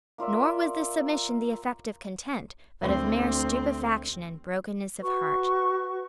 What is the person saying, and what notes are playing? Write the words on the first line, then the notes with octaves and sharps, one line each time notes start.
Nor was this submission the effect of content, but of mere stupefaction and brokenness of heart.
A#3 F4 D5 E5
D2 C4
F#4 B4 C#6